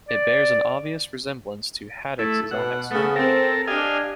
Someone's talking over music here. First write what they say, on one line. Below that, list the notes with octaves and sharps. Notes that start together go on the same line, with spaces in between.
It bears an obvious resemblance to Haddocks' Eyes.
D5
A3 E4
B2 F#5
C#3 A3 B3
C4 A4 A#4
D4 G4 D#5 F5 G#5